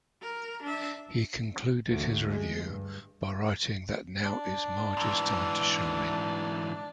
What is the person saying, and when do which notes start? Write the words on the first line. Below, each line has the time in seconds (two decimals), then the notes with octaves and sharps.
He concluded his review by writing that now it's Marge's time to shine!
0.22 A#4
0.63 D4 E5
1.87 D2
2.30 G#3
2.63 G2
4.25 D4
4.97 G#2 E3